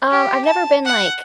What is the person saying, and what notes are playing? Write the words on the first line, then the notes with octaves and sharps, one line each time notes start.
Um, I’ve never been, like
G4
A5
F#5